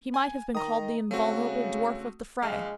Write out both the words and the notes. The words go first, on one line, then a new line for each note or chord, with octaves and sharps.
He might have been called the invulnerable dwarf of the fray.
G#5
D#3 D#5 A#5 D#6
C#3 A3 C4 F#4
A#1 G#3 F5 F6